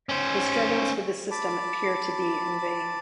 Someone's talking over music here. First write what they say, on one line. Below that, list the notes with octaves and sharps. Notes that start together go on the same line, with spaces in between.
His struggles with the system appear to be in vain.
C#4 C5
A5 B5 D6